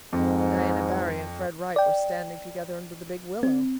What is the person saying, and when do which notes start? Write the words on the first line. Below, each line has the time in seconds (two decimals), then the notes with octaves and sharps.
Diana Barry and Fred Wright were standing together under the big willow.
0.13 F2 G#2
1.76 D5 G5
3.43 C4